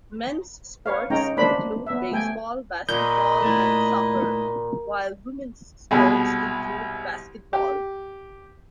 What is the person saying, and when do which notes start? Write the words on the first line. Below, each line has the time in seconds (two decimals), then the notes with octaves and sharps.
Men's sports include baseball, basketball and soccer; while women's sports include basketball.
0.86 B4 C#5 F5
1.10 G#3 C#4 D#4 C#5 G5 A#5
1.37 A#3 D4 C5 B5
1.87 B3 E5
2.12 A3 G5 G#5
2.89 A#2 B4 D#5 G6
3.42 A3 E4
5.91 C2 B2 G#3
7.53 G4